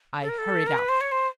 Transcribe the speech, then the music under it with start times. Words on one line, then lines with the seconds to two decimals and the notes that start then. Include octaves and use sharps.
I hurried out.
0.21 A4
0.29 A#4
0.38 A4
0.67 A#4
0.78 B4
0.89 C5
1.01 C#5
1.12 C5